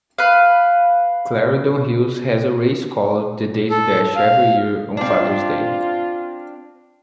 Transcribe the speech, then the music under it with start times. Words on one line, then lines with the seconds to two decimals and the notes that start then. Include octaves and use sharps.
Clarendon Hills has a race called the Daisy Dash every year on Father's Day.
0.18 B4 F5
3.70 A4
4.16 F5
4.97 C4 D4 F4